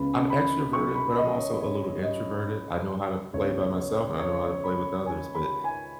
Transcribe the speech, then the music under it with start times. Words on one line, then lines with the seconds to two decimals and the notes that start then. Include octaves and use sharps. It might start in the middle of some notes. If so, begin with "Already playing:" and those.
I'm extroverted, but I'm also a little introverted. I know how to play by myself, and I know how to play with others but
Already playing: C#2 C#3 B3 B5
0.30 B5
0.73 C#6
0.95 B5
1.18 D#5
1.38 C#5
1.61 C#5
2.03 D#5
3.33 C#2 C#3 B3 C#5
3.76 C#5
4.20 C#5
4.64 B5
5.06 G#5
5.35 B5
5.64 G#5